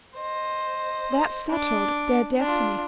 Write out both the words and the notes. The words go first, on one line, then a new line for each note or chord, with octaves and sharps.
That settled their destiny.
C5 D#5
D4 D6
D4 F4